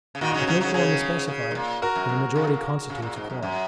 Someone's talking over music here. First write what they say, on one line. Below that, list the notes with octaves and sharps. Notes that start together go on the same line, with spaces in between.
If no quorum is specified, then a majority constitutes a quorum.
C#3
A#2 D#3 F#4
C#3 F#3 D#4
C#4 F#4
C#3 F#3
C#3 F#3
C#3 F#3 G#4 C#5
C#3
G#2
A#2
F#4 A#4
F#2
F#2
C#3
A#2
C#3
C#3
A#2
G#2
F#2
F#2